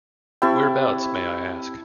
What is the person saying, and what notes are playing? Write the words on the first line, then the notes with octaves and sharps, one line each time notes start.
Whereabouts, may I ask?
C4 E4 G4 G5 A5 C#6